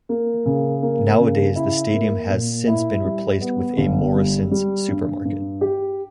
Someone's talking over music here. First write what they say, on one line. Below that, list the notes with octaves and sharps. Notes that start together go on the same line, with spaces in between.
Nowadays the stadium has since been replaced with a Morrisons supermarket.
A#3
C#3
A#3
C#3
E4
A#3
A#2
E4
G3
B3
G1
G3
G3
G2
G2
G4